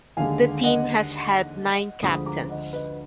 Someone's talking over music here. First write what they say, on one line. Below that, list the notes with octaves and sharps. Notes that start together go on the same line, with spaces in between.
The team has had nine captains.
D#2 D3 G#3 F5 G#5
D#5 F#5
D2 D3 F3 G#3 B5 D#6
A#5 D6
D#5 F#5
B4 D#5